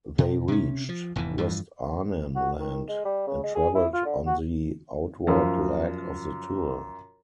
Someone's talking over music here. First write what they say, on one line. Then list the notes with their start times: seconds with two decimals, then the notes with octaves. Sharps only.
They reached West Arnhem Land and travelled on the outward leg of the tour.
0.18 B2
0.48 C3 C#4
0.89 F3
1.16 F1 E2 G#2 E3
1.38 G2 E3 F3
2.35 F#4
2.59 D#3
2.88 G#3
3.05 G3
3.27 C#3
3.43 G#3
3.55 G#4
3.75 E4
3.94 F4
4.05 D3
4.26 F#4
5.27 F#2 F3